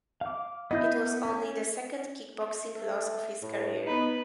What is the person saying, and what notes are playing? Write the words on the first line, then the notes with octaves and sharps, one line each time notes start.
It was only the second kickboxing loss of his career.
F5 D6
B3 E4 D#5 G6
C#4
A3
A2
B3 D#4 B4